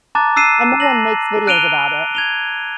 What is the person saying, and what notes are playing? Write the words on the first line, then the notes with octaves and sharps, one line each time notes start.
And no one makes videos about it.
A5 A#5 D6 F#6 A6
E6 F#6 C7 D#7 E7
A5 A#6 F#7
F#6 D7 D#7 F7 G7
G#6 F7 G7